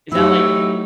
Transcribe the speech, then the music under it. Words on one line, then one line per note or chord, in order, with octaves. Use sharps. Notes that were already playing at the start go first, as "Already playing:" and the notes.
Is that like
F#3 A3 D#4 E4 G4 E6